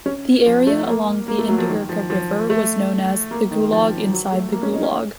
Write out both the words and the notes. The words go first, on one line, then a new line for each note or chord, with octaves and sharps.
The area along the Indigirka river was known as "the Gulag inside the Gulag".
C#4
F3
A3
A#3
A#3
A3
F#3
F3
D#3
F3
F3
A3
A#3
D#3
F3
F#3
A3
A#3
C#4
D#4
C#4